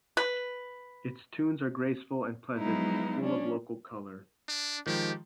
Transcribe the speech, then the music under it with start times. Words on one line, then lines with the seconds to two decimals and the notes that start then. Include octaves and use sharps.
Its tunes are graceful and pleasant, full of local color.
0.17 B4
2.56 F3 F#3 G#3 B3 D#4 E4
3.21 C#4 D4
4.49 D4
4.86 D#3 F3 G#3 G4